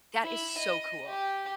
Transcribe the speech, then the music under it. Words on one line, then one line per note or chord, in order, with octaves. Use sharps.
That is so cool.
E4
D#5
G4